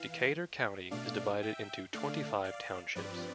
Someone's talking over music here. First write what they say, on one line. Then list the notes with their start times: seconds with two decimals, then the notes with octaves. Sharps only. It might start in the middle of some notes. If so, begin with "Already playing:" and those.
Decatur County is divided into twenty-five townships.
Already playing: E3 F5
0.91 B2 A3 D4 D5 F5
1.43 E5 G5
1.93 D3 A3 D4 D5 F5
2.44 D5 F5
2.95 G2 F3 C4 B4 D5